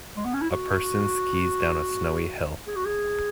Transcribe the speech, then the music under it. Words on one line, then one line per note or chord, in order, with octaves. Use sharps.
A person skis down a snowy hill.
G#3
B3
C#4
E4
F#4
G#4
F#4
G#4